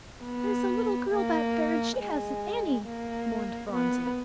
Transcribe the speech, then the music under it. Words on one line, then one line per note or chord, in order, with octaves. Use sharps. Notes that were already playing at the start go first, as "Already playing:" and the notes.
"There's a little girl back there and she hasn't any," mourned Phronsie.
B3
A#3
G#3
A#3
B3